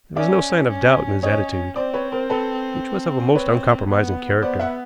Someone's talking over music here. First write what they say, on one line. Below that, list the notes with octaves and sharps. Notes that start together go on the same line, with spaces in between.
There was no sign of doubt in his attitude, which was of a most uncompromising character.
C#4 D5 E5
C#4
C#4 C#5 D#5
C4 C5 D5
B4 C#5
A#4 C5
A4 B4
C4 B4 C#5
B3
B3 C5 D5
E5 F#5